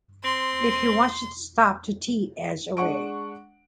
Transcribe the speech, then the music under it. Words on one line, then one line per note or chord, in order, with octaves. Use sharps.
If he wants you to stop to tea, edge away.
C4 C6
G#3 D4 F#5 C#6 D7